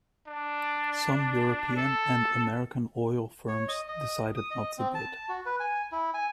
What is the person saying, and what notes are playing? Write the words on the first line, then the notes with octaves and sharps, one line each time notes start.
Some European and American oil firms decided not to bid.
D4
A4
C#5
D#5
D#5
D#6
D#5
C4
A5
F#4
B4
G#5
E4
G#5